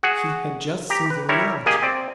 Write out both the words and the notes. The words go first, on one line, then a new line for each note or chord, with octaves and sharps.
He had just seen the reality.
F#4 G#4 F#5
G4 A#5
B4
G3 E4 A#4 C#5
A#3 G4 G#4 D#5 G#5
C4 D5